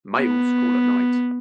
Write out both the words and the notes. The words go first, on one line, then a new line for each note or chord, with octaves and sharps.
Males call at night.
B3